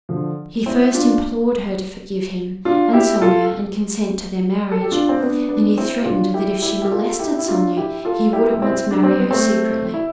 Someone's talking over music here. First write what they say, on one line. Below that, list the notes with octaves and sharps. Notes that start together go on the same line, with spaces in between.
He first implored her to forgive him and Sonya and consent to their marriage, then he threatened that if she molested Sonya he would at once marry her secretly.
D3 F3
C4 E4
D4 F4
D4 F4
E4 G4
F4 A4
A4
G4
D4 F4
C4
B3 D4
B3 D4
C4 E4
G4
D4 F4
E4 G4
E4 G4
G4
F4 A4
E4 G4
E4
D4 F4
E4 G4
F4 A4
E4 G4
C4 E4
D4
C4
B3
A3 C4
E4